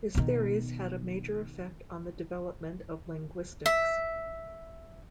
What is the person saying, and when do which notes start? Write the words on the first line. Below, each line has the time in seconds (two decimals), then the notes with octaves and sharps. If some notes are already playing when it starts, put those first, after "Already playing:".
His theories had a major effect on the development of linguistics.
0.15 B2 D#3
3.66 E5